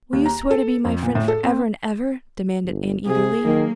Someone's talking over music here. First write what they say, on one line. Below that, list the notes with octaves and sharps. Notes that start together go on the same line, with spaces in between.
"Will you swear to be my friend forever and ever?" demanded Anne eagerly.
D#2
A#5
A4
F2
A#2
A2
A4
C4
G1
C3 G#4
D#3 F#3 A#3